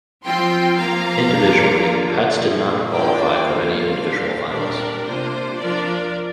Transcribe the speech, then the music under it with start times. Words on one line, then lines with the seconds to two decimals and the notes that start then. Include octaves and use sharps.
Individually Petz did not qualify for any individual finals.
0.25 F3 C4 F4 G5 C6
0.77 F3 A#3 F4 F5 A#5
1.31 F3 A#3 D4 F4
1.85 D3 A#3 D4 F4
2.39 A#2 F3 A#3
2.91 D3 A#3 D4 F4 D5 G5
3.45 F3 A#3 F4 C5 F5
3.98 A#2 G3 D4
4.51 A#2 G3 D4 A#4 D5
5.05 C3 A#3 D4 F4 C5
5.58 F3 D4 F4 A#4 D5